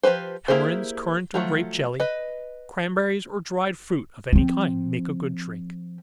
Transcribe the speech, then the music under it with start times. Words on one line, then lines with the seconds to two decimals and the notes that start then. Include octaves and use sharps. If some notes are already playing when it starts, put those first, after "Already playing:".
Tamarinds, currant or grape jelly, cranberries, or dried fruit of any kind, make a good drink.
0.03 F3 C#4 G4 B4 C5
0.48 A#3 E4 G4 G#4 C5
1.34 F3 F#3 A3
2.00 B4 D#5
4.33 F3 C4